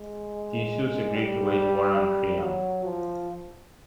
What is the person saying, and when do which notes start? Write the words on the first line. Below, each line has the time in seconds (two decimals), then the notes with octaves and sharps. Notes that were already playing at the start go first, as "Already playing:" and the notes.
Theseus agrees to wage war on Creon.
Already playing: G#3
1.15 G3
2.42 F#3
2.85 F3